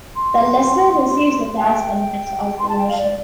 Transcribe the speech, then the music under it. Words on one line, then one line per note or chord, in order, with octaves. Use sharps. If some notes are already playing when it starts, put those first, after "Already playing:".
The lessor receives the tax benefits of ownership.
C6
G5
C6
A5
G5
F5
D5